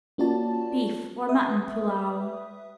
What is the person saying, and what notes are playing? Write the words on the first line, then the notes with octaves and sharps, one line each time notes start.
Beef or Mutton Pullao.
A#3 C#4 F4 F#4 D5 A5
B4 E5 D#6